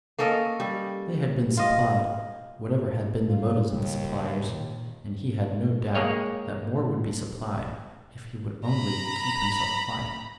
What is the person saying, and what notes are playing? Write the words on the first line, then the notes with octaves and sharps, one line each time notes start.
They had been supplied, whatever had been the motives of the suppliers; and he had no doubt that more would be supplied if he would only keep himself quiet.
A#3 C#4 A4 D#5
G3
F4 D#5
F4
D#2 A2 C#3 G3
A#2 D#3
G#3 A#3 G#4 C#5 G5
A#5 B5